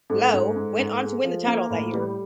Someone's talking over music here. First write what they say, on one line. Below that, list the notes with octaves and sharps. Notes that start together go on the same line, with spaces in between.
Lowe went on to win the title that year.
G#2 A4
G#2
G#2
G#2
G#3
F3
A#3
A2
G3